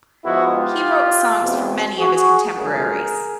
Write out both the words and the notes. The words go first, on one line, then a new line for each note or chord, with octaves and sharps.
He wrote songs for many of his contemporaries.
G#2 F3 G#3 B3 E4 F#4
F4 G4
E2 B2 G#3 C4
F#4 G#4
F#2 D3 F3 G#3 G#4 A#4